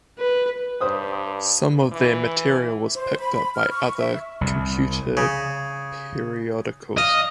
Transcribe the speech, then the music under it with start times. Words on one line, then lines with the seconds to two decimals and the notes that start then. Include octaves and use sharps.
Some of their material was picked up by other computer periodicals.
0.19 B4
0.81 G2 C5 D#6
1.93 E3
2.95 C5
3.18 B5
3.55 F6
3.71 C#6
3.97 E5
4.41 C2
5.17 C#3
6.98 D#5 F5